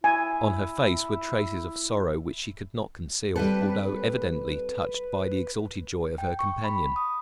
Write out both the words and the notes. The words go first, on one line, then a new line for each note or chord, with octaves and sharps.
On her face were traces of sorrow which she could not conceal, although evidently touched by the exalted joy of her companion.
E4 G#5
G3 C4 A4 B4
G5
C#6
B5
D#6